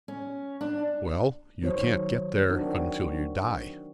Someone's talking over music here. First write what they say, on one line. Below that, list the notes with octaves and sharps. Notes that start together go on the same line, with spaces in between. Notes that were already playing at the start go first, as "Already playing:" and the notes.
"Well, you can't get there until you die."
C#4
D4
D#3 F#3 C5 C#5
C4 D4 D#4 F#4 A#4